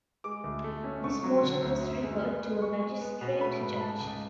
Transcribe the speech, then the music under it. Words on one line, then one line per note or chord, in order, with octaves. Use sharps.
This motion was referred to a magistrate judge.
G#3 D6
D2
A3
C#4
C#2 C#6
F#3
D3
D2
F#2
G#3
B3
B3
G#3 C#6
G#3
B3
B2
A3 B5
G#2
B5
G#3 A5
C#2